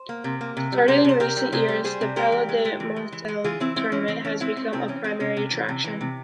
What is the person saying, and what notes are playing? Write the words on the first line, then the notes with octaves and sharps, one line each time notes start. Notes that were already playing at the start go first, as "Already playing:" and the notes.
Started in recent years, the "Palio di Monselice" tournament has become a primary attraction.
Already playing: C5
A#3
C3
A#3
C3
G3
C3 G#4 C5
C3 C5
C3 G4 A#4
G3
C3 G#4 C5
G3
G3 G#4 C5
C3
G#3 G4 A#4
E3
G#3
G#3
E3
G#3
E3
G#3
E3 F4 G#4
E3 C4 E4
G#3 C4 E4
E3 C#4
E3 C4
E3 C#4
G#3 C4 E4
G#3 C4
C3 C4
E3 C#4
G#3 C4
C3 C#4
C3
E3
C3
E3
C3